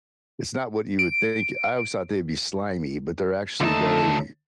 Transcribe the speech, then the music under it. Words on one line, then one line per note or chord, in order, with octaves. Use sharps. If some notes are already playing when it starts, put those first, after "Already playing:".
it's not what you would think, I always thought they'd be slimy, but they're actually very,
D7
D#2 D3 A3 D#4 A5